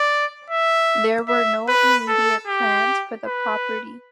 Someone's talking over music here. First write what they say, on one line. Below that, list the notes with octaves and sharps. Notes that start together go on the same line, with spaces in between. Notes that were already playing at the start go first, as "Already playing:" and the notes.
There were no immediate plans for the property.
Already playing: D5
E5
E5
B4
A4
G4
B4